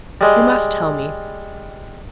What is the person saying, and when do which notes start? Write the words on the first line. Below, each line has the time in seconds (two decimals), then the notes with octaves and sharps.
You must tell me.
0.21 G3 G#3